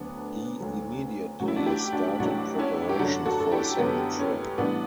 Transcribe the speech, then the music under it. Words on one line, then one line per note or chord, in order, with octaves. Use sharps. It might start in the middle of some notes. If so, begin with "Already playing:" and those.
He immediately started preparations for a second trip.
Already playing: D2 D3 F#3 B3 D4
D2 D3 F#3
A1 A2 F#3 F#4
E4
D4 F#4
E4 G4
D4 F#4
G4
A1 A2 F#3 D4 F#4
C#4 E4
G4
F#2 D3 F#3 D4 F#4
F#4 A4
A4
E4 G4
F#2 D3 F#3 B3
C#4
A1 A2 E3 G3 B3 D4